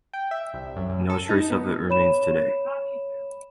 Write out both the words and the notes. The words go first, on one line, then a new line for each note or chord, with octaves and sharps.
No trace of it remains today.
G5
E5
C2
F#2
F#2
A4
D#4
B3
C#5 B5 E7